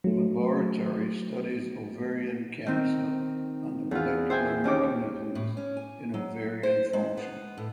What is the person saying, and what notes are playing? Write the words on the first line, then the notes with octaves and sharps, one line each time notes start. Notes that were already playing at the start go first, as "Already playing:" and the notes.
Her laboratory studies ovarian cancer and the molecular mechanisms in ovarian function.
F#3 A3
D#3 C4
E2 F4
C5 E5 G5 G#5
D#2 C#4 D#4 D6
A2
C#4
G#5
F#3
C5
G#3
B3
A2